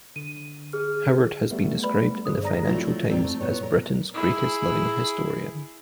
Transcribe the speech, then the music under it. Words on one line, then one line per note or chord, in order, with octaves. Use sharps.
Howard has been described in the "Financial Times" as "Britain's greatest living historian".
D3 D#7
G#4 F6
G3 A3 B3
B4 D5 B5
G2 D3 G#4 C5 D#6
D5 A#5 A#6
F3 F#3 A3 C4 E4 F4
F2 C4 D5 G#5 A#5
A3
A#2 B3 C#5
A#4
E4 G#4